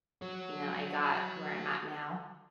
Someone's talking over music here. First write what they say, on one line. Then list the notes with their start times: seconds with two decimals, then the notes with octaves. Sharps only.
you know, I got where I'm at now,
0.22 F#4 C#5